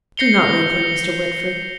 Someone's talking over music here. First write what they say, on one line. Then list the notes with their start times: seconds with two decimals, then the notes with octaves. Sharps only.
"Do not leave him, Mr. Whitford."
0.17 G6 A#6 C7 C#7 F7 G7